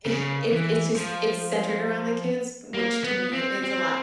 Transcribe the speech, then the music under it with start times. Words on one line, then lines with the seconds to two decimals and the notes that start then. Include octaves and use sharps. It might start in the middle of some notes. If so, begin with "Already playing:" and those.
i it's it's just it's centered around the kids, which to me is a lot
0.06 C#3
0.52 E3
0.96 F3
2.74 A#3
3.04 B3
3.33 C4
3.63 C4